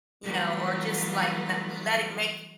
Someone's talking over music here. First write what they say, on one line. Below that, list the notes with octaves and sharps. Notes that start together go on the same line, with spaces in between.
you know, or just, like, na letti maki
E3 F#3 G3 A3 B3 F4